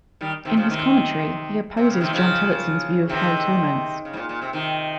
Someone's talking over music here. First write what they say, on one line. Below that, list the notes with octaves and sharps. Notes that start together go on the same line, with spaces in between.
In his commentary he opposes John Tillotson's view of hell torments.
D#3 G3
C3 D#3
C#3 F3
C3 D#3
C3
C#3
C3 D#3
C#3 F3
C3 D#3
C#3
G#2
A#2
A#2
C3
C3 D#3